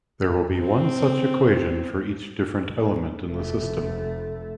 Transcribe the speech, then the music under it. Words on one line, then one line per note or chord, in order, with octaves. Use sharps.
There will be one such equation for each different element in the system.
C4
F1 A3